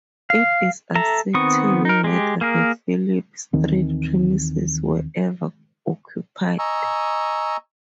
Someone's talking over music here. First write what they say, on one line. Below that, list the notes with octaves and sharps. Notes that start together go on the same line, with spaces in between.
It is uncertain whether the Phillip Street premises were ever occupied.
F5
A4 E5 A#5
D#3 B3 C4 C#6 D#6
D#4 A#4
G#3 G4
A#3 G#4 A#4
D#2 D#3 E3 C4
D#5 G#5 A#5 C#6 E6